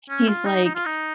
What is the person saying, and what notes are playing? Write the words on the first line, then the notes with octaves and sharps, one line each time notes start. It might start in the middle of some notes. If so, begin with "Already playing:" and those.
he's like,
C#4
F4
D#4
D#4
F4
D#4